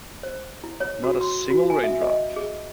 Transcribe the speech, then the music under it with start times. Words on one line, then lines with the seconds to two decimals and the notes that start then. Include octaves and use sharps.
Not a single raindrop!
0.23 C5
0.64 E4
0.80 C#5
1.04 F#4
1.21 C6
1.50 F#4
1.70 G#5
1.84 E5
2.01 D#5
2.36 G#4